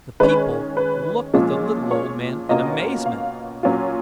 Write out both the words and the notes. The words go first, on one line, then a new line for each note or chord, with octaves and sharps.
The people looked at the little old man in amazement.
D#3 G#3 C#4 B4
B4
A#2 F3 G#3 C#4 F4
C#5
B2 A#3 C#4 F4 D#5
F5
A#2 F#3 C#4 F4